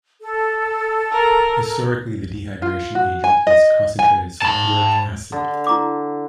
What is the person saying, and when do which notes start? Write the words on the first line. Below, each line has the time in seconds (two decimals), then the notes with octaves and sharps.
Historically, the dehydration agent is concentrated sulfuric acid.
0.20 A4
1.11 A#4
2.62 F4
2.95 F#4
3.24 G#5
3.47 D#5
3.99 G#5
4.42 G#2 A5 B5
5.32 D3
5.67 E4 A#5 D6